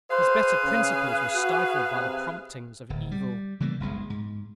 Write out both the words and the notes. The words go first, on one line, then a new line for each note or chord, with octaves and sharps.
His better principles were stifled by the promptings of evil.
G#4 B4 C5 F5
C#3
F#4
C3
D1
G3
C#3 E3 G3 A#3
F#1 B1 C3 G#3
G#2